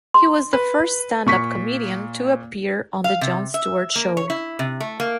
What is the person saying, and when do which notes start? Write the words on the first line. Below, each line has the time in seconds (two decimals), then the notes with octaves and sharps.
He was the first standup comedian to appear on The Jon Stewart Show.
0.14 C6
0.53 B4
1.26 A#2 C#6 B6
3.04 F5
3.21 C3
3.54 E5
3.96 A#3
4.17 C#5
4.30 E4
4.59 C3
4.80 A3
5.00 A#3